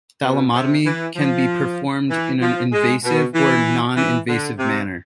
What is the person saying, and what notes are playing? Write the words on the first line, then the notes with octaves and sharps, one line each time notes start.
Thalamotomy can be performed in an invasive or non-invasive manner.
B2
C3
E3
F3
E3
F3
G#3
B2
E3
E3
D3
C3